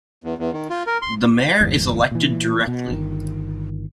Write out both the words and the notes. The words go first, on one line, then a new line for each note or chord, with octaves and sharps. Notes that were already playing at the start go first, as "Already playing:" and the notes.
The mayor is elected directly.
E2
E2
D#3
F4
A#4
C6
G1 E2 G#2
A#2 E3
B2
G1 D#3